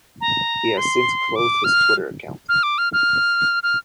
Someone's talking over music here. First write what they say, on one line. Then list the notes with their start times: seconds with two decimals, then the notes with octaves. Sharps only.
He has since closed his Twitter account.
0.21 A#5
0.77 C6
1.36 D6
1.64 F6
2.49 F6
2.63 D6
2.78 F6
2.93 F6
3.63 F6